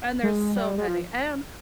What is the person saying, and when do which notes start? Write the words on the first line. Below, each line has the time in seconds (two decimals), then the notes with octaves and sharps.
and there's so many, and
0.23 G#3
0.55 G3
0.78 G#3
0.88 F3